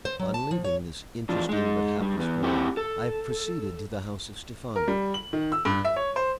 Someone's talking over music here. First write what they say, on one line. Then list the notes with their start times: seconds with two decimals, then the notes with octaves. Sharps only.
On leaving this interesting but hapless girl, I proceeded to the house of Steffani.
0.05 C5
0.20 F#3
0.34 A5
0.51 F3
0.64 C#5
1.29 E2 F3 D4
1.49 G#3 D#4
2.00 G2 G3
2.17 E2 B3
2.43 C4 E4 G4 C5 F#5
2.77 A4
4.76 A#4
4.88 G3
5.14 F#7
5.33 D#3
5.52 E6
5.65 G2
5.85 E5
5.96 C#5
6.16 C5